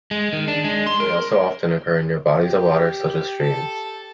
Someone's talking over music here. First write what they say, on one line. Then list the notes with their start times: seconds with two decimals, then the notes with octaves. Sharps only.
They also often occur near bodies of water such as streams.
0.11 G#3
0.33 D#3
0.48 D4
0.64 G#3
0.87 C6
1.00 A#4
2.39 G4
3.42 A4